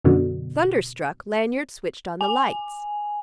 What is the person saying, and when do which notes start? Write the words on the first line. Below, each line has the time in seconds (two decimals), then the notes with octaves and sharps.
Thunderstruck, Lanyard switched on the lights.
0.04 F#2 B2 D3
2.21 G#5